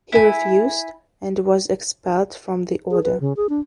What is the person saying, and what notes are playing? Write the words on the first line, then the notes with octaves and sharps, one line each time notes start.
He refused and was expelled from the order.
E4 G#5
G#4
B4
C#3
G#4
D4